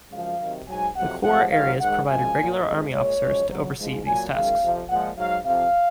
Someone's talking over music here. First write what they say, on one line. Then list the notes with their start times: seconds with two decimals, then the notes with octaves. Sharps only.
The corps areas provided Regular Army officers to oversee these tasks.
0.11 F#2 C#3 F3 G#3 F5
0.39 C3 D#3 F#3
0.67 G#2 F#3 G#5
0.96 F2 C3 F#3 F#5
1.24 C3 F3 G#3 F#5
1.52 G#2 D#3 F#3 F5
1.80 G#2 D#3 G#3 F#5
2.08 F#2 C#3 F3 G#3 G#5
2.35 A#2
2.41 F#3
2.64 F2 C#3 G#3 D#5
2.92 A#2 G#3 C#5
3.20 F#2 F3 G#3
3.48 F2 C#3 F#3
3.77 G#2 F3 G#3
4.04 A#2 F#3 G#5
4.32 F#2 D#3 G#3 F5
4.61 F2 C3 F3
4.89 A#2 F3 G#3 F#5
5.16 G#2 F#3 F5
5.44 F2 C3 F3 F5